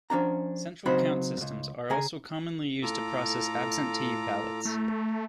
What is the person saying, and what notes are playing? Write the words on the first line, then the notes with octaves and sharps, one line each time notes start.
Central count systems are also commonly used to process absentee ballots.
F3 C#4 D4 A#5
C#3 F#3 C4 D#4 C5 B5
C#2 G2
C#3 G#4 G#5 A#5
A2 F4 A4 A#5 D6
A3